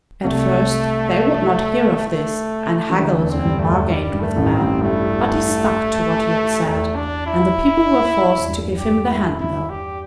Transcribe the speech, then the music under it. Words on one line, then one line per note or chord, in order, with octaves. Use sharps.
At first they would not hear of this, and haggled and bargained with the man, but he stuck to what he had said, and the people were forced to give him the hand-mill.
C2 C3 A3
A3
E3
D2 D3 A3
E2
C4
G2
A3
E2
G2 G3
G2
A3
A1 A2
C4
A1 A2
G2 A3
E2 A3
D4
E4
E2
G2
G4
E4
E4
G4